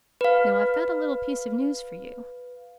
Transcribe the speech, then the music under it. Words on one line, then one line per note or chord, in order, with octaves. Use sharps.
Now I've got a little piece of news for you.
B4 F5